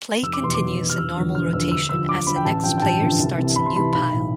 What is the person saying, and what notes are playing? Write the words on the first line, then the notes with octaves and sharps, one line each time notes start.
Play continues in normal rotation as the next player starts a new pile.
F1 E6
D6
E2 B2 C6
D6
F1
E2 B2
F6
E1 E6
E2 D3 F3
E1 F6
E2 D3 F3 E6
D2 E6
D3 F3 E6
D2 D6
D3 F3 B5
G5
A1 A5
G2 D3 F3 G5
G5
A1 A5
G2 D3 F3
C2
C3 E3
C2 B5
C6
C3 E3 B5
B1 B5
A2 E3